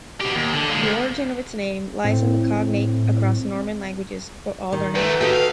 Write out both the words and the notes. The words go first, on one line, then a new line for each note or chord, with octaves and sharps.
The origin of its name lies in the cognate across Norman languages for Alderney.
B2 G4
D#2
D3
A#2 G#3
D2
A2 C4
D#3
F#2 A3 B4
D#4 F#4 G4 A4
F5